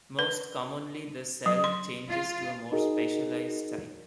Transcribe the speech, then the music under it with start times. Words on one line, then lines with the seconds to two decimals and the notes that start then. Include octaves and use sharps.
Most commonly the cell changes to a more specialized type.
0.19 B4
1.46 F#3
1.64 C6
2.08 F4
2.72 D#4 F#4 G#4 A#4 D#5